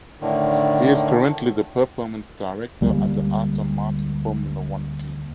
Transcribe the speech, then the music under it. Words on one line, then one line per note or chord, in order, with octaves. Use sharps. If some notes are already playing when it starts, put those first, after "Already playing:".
He is currently the performance director at the Aston Martin Formula One team.
A2 D3 D#3
D2 G3 G#3 A#3